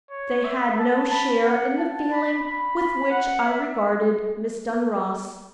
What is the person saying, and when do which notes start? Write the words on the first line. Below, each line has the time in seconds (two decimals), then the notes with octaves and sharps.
They had no share in the feeling with which I regarded Miss Dunross.
0.11 C#5
0.45 E5
0.78 A5
1.12 B5
1.44 F#5
1.78 A5
2.12 B5
2.45 B5
2.78 B5
3.11 F#5
3.45 E5